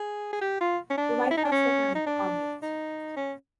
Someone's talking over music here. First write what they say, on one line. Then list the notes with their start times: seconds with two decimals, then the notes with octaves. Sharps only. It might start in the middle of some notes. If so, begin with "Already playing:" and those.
The White House declined to comment.
Already playing: G#4
0.33 G#4
0.41 G4
0.61 F4
0.90 C#4
0.97 D4
1.31 E4
1.37 D#4
1.45 D4
1.52 C#4
1.95 D#4
2.06 D4
2.62 D#4
3.16 C#4